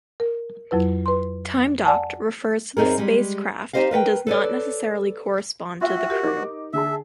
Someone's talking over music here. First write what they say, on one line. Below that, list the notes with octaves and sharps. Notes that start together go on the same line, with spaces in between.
"Time docked" refers to the spacecraft and does not necessarily correspond to the crew.
A#4
F2 F#3 E4 B4
B4 C6
D5 F#5 G#5 A5
F#2 C4 D#4 G#4 A#4
G3 G#3
D#4 F#4 G4 C5 D#5 F5
A#4 B4 F5 G5
A4 B4 C#5 D5
F4 F#4 E5 G5
G4 A#4
D#4 A#4 D6
D3 G#4 E5 A5